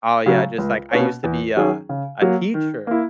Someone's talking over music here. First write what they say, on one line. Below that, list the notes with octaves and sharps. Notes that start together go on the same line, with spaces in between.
"Oh, yeah, just like, I used to be a a teacher."
C#3 F#3
C#2
B2 A#3 C#4
E2
D#3 F#3 C#4 G#4
C#3
F#3 A#3
D#3
A#3 E4